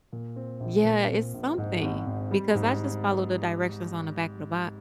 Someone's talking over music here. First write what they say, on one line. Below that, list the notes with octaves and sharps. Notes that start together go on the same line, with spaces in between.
Yeah, it's something, because I just followed the directions on the back of the box.
A#2
C4
A#1
A#2
C4
A#1
G#2
G#1
G#1
G3
G#2